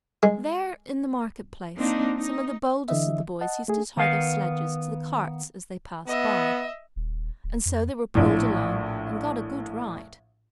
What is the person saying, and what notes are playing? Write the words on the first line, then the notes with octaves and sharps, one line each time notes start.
There, in the market-place, some of the boldest of the boys used to tie their sledges to the carts as they passed by, and so they were pulled along, and got a good ride.
G#3
A#3 C4 D4 D#4
D#4
D3 E3 D#5 E5
D#5 F#5 A5
A3 G#4
D#3 B3 F5
B3 D#5 E5
D#1
D1
F2
A#1 A2